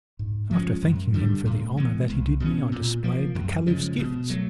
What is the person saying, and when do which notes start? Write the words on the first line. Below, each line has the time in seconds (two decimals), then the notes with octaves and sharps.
After thanking him for the honour that he did me, I displayed the Caliph's gifts.
0.19 G#2
0.51 F3 G#3 C#4
0.82 F#2
1.14 D3 G3
1.45 A2
1.77 E3 G#3 B3
2.09 C2
2.40 B2 G#3
2.45 C#4
2.72 A#2
3.03 F3 A#3
3.35 F#2
3.66 C#3 F3 G#3
3.98 B2
4.30 F#3 A3